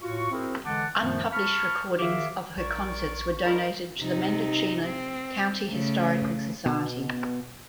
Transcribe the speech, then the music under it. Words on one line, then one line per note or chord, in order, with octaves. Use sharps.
Unpublished recordings of her concerts were donated to the Mendocino County Historical Society.
A2 F4 F#4 C#6
C4 E4 F#4 G#4 A#4 C5
D3 E3 G#3 F#5 A5 D6
F#2 A#2 D#3 F3 A3 B3
A5 B5 C#6 F6
D#3 F#4 G#4 E5 F5 D6
A#1 A#4 C#5 D5 C#6
C4 D#4 F4 A#4
C3 D#4
C4
C#3 A3
B2